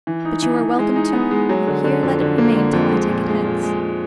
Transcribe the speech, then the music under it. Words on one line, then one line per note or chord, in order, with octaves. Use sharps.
But you are welcome to it; and here let it remain till I take it hence.
E3
D#4
E3
E3
G#3
D#4
B3
G#3
F#3
D3
D3
F2
D3
A#3
D3
F2
G#3
A#2
G#3
A#2
G#3
G#3